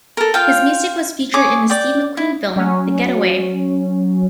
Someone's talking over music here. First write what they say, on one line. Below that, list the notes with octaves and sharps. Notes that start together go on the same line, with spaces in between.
His music was featured in the Steve McQueen film "The Getaway".
A4 A#4
F4 F5 G5
G#4 C#5 D6
D5 G5
E4
F#3 C#4